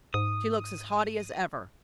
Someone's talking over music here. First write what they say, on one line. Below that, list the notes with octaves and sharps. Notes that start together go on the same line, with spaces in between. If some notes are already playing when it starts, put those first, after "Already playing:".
She looks as haughty as ever.
G#2 D#6